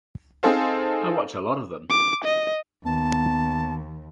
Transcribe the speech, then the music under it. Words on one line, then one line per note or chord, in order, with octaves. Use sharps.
I watch a lot of them.
C4 D#4 G#4 A4 C5 F5
D6
D#5
D#2 B3 A5